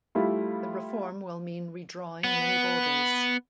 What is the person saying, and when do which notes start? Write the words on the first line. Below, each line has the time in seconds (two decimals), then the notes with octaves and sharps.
The reform will mean redrawing many borders.
0.15 G3 A3 E4 F4
2.24 B3